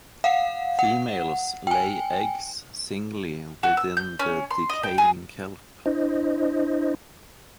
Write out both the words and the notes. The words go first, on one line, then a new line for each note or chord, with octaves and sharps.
Females lay eggs singly within the decaying kelp.
F5 F#5
F#5
G5 G#5
F#4
E6
G6
C#4
C6
D#5
G5
G#4
D4 E4 C5 D#5